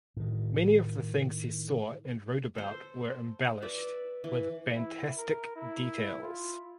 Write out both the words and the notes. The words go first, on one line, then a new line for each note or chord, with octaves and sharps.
Many of the things he saw and wrote about were embellished with fantastic details.
A2 D#3
A4 C5
B4 D5 E5
E3
E4
A#4
E4
F4